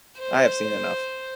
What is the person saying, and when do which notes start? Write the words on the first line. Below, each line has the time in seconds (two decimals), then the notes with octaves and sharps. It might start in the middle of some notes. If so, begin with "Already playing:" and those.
I have seen enough.
0.19 C5